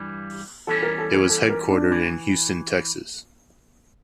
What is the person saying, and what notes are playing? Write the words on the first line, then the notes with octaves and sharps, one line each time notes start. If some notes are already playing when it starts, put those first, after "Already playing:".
It was headquartered in Houston, Texas.
Already playing: G2 E3 G3
E2 E3 G3 C#4 A4
A#4
A4
A#4
A4
A#4
D4
E3